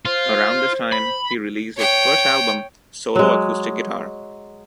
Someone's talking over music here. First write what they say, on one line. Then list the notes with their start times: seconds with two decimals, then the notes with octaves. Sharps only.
Around this time, he released his first album, "Solo Acoustic Guitar".
0.05 F4 C5
0.92 B5
1.77 C#5 G5
3.15 F#3 G#3